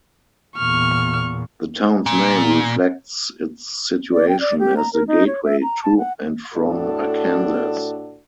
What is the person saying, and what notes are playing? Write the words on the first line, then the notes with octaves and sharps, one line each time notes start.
The town's name reflects its situation as the "gateway" to and from Arkansas.
E2 A#2 C#6 F6
A#2
D5
G5
D5
G4
A#5
A#4
D#4
C#5
E5
A#5
A5
F#5
A2 D4 F#4 A4